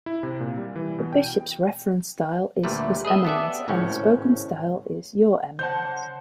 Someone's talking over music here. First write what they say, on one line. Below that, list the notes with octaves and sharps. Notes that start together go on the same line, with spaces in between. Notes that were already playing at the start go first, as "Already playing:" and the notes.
The bishop's reference style is "His Eminence" and the spoken style is "Your Eminence".
E4
C3
A#2
G3
E3
B2
G5
D2 A#2 G3 A3 B4
G#4 B4 D#5 E5
B3 G4 A4 D5 E5
G#1 C#2 A2 C#4
C#3 C5 C#5 F#5 A5 G6